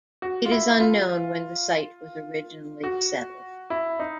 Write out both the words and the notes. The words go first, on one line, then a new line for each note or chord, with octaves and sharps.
It is unknown when the site was originally settled.
F#4
F4
E4
F4
F#4
E4
D#4